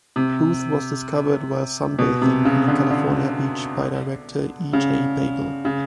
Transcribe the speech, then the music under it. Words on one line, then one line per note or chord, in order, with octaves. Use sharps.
Booth was discovered while sunbathing on a California beach by director E. J. Babille.
C3
B2
C3
C#3
D3
D3
C#3
C#3